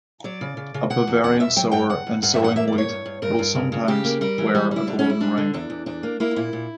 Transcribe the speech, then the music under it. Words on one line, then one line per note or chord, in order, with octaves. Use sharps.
A Bavarian sower in sowing wheat will sometimes wear a golden ring.
F#3 D5
C#3
C#3
C#3
B2 F#5
E2
E2 F#5
B2 E5
F#3 G5
G2 G5
G2 F#5
G2
G2 F#5
E5
E3
F#5
A#3 E5
D5
G2
C#5
G2
G2
G2 A#4
G2
C#3
C#3
C#3 G4
A#3
G3 A#4
E3
G3 G4
G3 E4
D3 D4
C#4
G3
E4
G3 D4
D3
E2 D4
E2
E2 D4
A#3
A#3 E4
A#2 E4
A#2